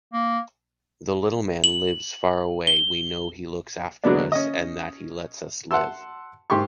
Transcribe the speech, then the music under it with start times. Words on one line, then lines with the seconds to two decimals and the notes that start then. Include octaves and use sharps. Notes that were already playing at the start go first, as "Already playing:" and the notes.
The little man lives far away, we know he looks after us and that he lets us live.
0.14 A#3
1.64 F#7
2.67 G7
4.04 D3 F#3 G#3 B3 D4
4.32 C#4 D#5
5.71 F#5 A5 C6 E6
6.50 G#2 G4 C6 C#6